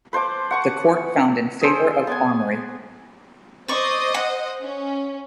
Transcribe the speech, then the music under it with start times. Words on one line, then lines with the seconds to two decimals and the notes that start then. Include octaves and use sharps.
The Court found in favour of Armory.
0.13 B4 C5 A5 D6
0.51 F#5 C#6 D6
1.61 G#4 A4 C5
2.07 B3 G#5
3.68 C5 D5 D#5 C#6
4.14 F#5
4.62 C#4